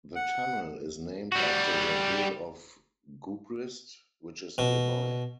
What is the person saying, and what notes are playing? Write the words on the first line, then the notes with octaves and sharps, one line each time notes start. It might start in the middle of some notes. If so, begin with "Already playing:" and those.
The tunnel is named after the hill of Gubrist, which is nearby.
F#5
G3 F#4
B2